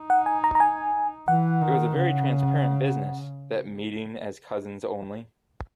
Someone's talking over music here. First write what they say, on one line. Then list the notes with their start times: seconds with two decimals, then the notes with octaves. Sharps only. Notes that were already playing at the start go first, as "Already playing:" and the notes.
It was a very transparent business, that meeting as cousins only.
Already playing: D#4
0.10 F#5
0.26 G#5
0.44 A#5
0.55 A#5
0.60 G#5
1.28 E3 F#5
1.62 D#3
1.95 C#3